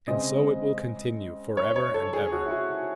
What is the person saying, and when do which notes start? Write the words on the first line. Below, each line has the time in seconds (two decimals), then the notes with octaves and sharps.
And so it will continue for ever and ever.
0.07 C#3 G#3 C4 D#5
1.57 C#5
1.76 C#5
1.94 A4
2.13 G#4
2.32 F#4
2.46 E4
2.51 F#4